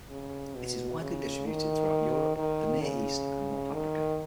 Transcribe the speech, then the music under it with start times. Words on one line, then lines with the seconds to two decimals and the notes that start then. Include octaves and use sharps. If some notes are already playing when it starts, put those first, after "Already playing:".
It is widely distributed throughout Europe, the Near East and North Africa.
0.10 C#3
0.55 B2
1.01 C#3
1.47 D#3
2.37 D#3
2.82 C#3
3.74 D#3